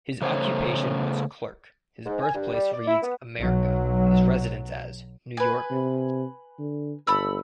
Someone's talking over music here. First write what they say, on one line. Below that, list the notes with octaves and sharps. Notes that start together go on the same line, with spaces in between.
His occupation was 'clerk', his birthplace reads 'America', and his residence as 'New York'.
C#3 A3 C5 C#5
G#2
G#5
G2
G3
D5
E4
B3
B1 F#3
B4 G#5
C3
D3
G1 A4 B5 E6